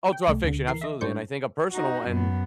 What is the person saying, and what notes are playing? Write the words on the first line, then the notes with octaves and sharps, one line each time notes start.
All throughout fiction, absolutely. And I think a personal one
G5
C2 A3
D2 D3
E3 A#4 C7
D#5 E5
G#2 G3 D4 C5 C#6 G6
D#4 F#4
F#2 B3